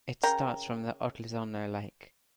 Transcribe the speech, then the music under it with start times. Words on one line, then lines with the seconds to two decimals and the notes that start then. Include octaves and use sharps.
It starts from the Otlizino lake.
0.23 C#3 A#4 G5 A#5